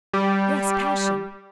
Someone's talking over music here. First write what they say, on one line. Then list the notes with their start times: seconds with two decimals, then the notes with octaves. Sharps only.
Yes, passion.
0.13 G3